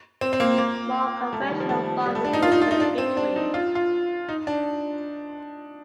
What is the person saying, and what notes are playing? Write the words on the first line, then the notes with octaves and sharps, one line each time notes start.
More conventional bars include The Victory.
C4
C4
A#3
A#3
A3
G3
D#3
F3
A3
G3
A3
D4
D#4
F4
D#4
F4
D#4
D4
C4
D4
D#4
F4
F4
D#4
D4